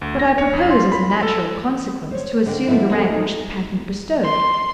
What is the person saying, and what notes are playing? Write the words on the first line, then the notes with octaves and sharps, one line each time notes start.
But I propose, as a natural consequence, to assume the rank which the patent bestowed.
D2
A#6
C#5
F2
C6
B5
B5
A4
C5 C#5
D3 D#5 G5
F3 B3 C4 E4
E2 A#3 D4 F#4 A4 D#5
D#4 A4 A#4
C6